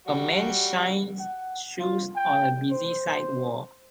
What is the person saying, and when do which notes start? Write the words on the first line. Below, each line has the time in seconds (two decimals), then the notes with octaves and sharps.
A man shines shoes on a busy sidewalk.
0.08 G3 F#4
1.20 F#5
1.80 F4
2.15 G5
2.72 C5